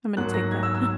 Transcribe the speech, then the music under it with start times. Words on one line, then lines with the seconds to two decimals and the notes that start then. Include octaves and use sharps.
I'm gonna take that.
0.17 G#2 F#3 A#3 F#6
0.34 A#6
0.52 G#6
0.63 E6
0.75 E6